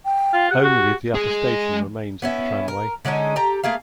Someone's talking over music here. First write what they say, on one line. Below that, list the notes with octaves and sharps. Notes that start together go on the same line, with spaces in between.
Only the upper station remains of the tramway.
G5
F4
G4 F#5
F#4
G#3 G#4
B3 C#4 E4
A#4
D3 G#3 C#4 D#4
G4 A4 A#5
A3 A#3 G#4 F5